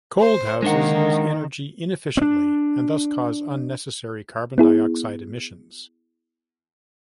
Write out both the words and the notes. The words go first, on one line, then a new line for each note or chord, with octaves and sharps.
Cold houses use energy inefficiently and thus cause unnecessary carbon dioxide emissions.
C5
D#3 G#3 A#3 D4 F#5
C4 D4
B3 E4 G#4